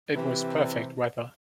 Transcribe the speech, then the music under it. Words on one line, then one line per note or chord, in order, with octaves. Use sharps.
It was perfect weather.
C3 E3